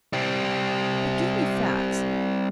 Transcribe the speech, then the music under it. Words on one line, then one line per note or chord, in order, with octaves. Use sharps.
But give me facts.
G3 C4